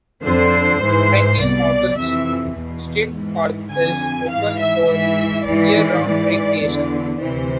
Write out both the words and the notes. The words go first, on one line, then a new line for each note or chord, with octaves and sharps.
Franklin Mountains State Park is open for year-round recreation.
F2 D3 C5
G#2 E3
C2 B2 D5
F2 C3 E3 E5
E2 B2
G#2 E3
F2 D3 G#5
G#2 E3 F5
E5
G#2 E3 E5
G#2 E3 D5
G#2 E3
E2 D3
D2 C3 E3 C5